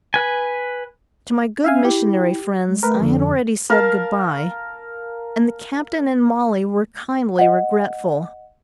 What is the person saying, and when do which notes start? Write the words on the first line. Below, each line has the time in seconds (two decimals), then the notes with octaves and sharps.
To my good missionary friends I had already said good-bye, and the captain and Mollie were kindly regretful.
0.14 B4 G#5
1.64 C#4 E5 F5 G#5
1.85 E4 G4
2.68 G#3
2.83 A3 A#4 B4
3.01 F2 D3
3.70 A#4 F5 A5
7.39 D#5 F#5